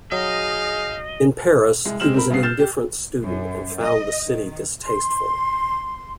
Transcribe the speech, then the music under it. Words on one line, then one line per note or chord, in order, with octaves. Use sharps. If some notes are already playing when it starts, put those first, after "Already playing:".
In Paris, he was an indifferent student and found the city distasteful.
F#3 D#4 G#4 D#5 F5
C2 G#3
G#3 C4 F6 E7 F#7
C4 A#4 B5
G2 C#3 B3 C7
F6 G6 A6 E7
G4
F#2
D#5
D#3
C6